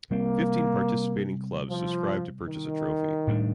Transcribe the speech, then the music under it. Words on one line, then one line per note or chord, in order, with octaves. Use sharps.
Fifteen participating clubs subscribed to purchase a trophy.
C3 G3 A#3 C4
F3
D#3
A2 G3 D4